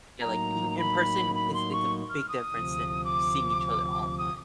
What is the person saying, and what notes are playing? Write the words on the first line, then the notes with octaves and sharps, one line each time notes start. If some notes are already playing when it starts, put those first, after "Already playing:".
Yeah, like, being in person, w it's it's a big difference than seeing each other online.
A2 F#3 A#3 D#4 A#5
B5
B5
C6
C#6
F6
D#6
D2 C3 F3
D6
D#6